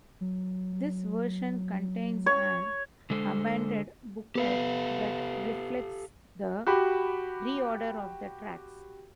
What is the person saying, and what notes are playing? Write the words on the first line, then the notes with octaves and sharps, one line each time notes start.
This version contains an amended booklet that reflects the reorder of the tracks.
F#3
C#5
D3 G#3 A4 C5
B3 G4 A4 B4 F5
F#4 G4 B5